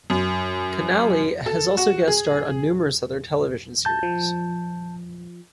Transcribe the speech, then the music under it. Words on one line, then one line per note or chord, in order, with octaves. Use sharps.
Kanaly has also guest starred on numerous other television series.
F#2
A4
F#4
G#4
A5 G6
F3